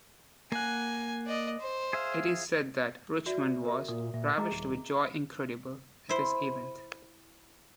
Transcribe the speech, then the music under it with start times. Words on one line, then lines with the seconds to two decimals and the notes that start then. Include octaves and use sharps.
It is said that Richmond was "ravished with joy incredible" at this event.
0.52 A#3 F#5 G#5
1.26 D5 D#5
1.60 C5
1.93 G#4 E5 F5
3.26 F#4 D5 E5
3.65 A#4 E5
3.88 A#2 D#6
4.14 A#2 E5
4.38 G#3 D#5 A#5 D6
4.52 D#1 G#4
6.09 E4 C5